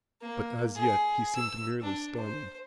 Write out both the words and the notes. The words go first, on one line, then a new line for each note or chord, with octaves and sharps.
But as yet he seemed merely stunned.
A#3
G#4
E6
D4
C5